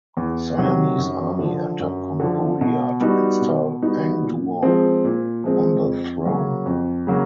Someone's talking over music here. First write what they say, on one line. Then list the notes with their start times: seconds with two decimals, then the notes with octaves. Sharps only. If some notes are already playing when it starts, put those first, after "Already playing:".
Siamese army entered Cambodia to install Ang Duong on the throne.
0.17 E2
0.58 C3 D#3 F#3
0.98 F#2
1.39 D3 F3
1.80 F#2
2.20 D3 F3
2.61 B2
3.00 G3 B3 D#4 F#4
3.41 B2
3.82 G3 B3 D#4 F#4
4.22 A#2
4.63 F3 G#3 C4
5.04 A#2
5.44 F3 G#3 C4
5.85 F2
6.25 C#3 F#3 A#3 C#4
6.66 F2
7.07 C#3 F#3 A#3